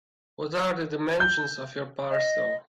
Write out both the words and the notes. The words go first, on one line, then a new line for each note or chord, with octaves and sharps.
What are the dimensions of your parcel?
G6
D#5